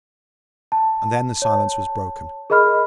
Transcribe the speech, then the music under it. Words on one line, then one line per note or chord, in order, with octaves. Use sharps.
And then the silence was broken.
A5
C#5 A5
G#4 A#4 D#5 B5 F6